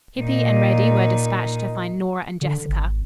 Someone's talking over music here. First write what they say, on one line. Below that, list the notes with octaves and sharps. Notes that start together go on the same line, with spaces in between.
Hippy and Reddy were despatched to find Nora and Jessica.
A#2 D#4
D3
G#1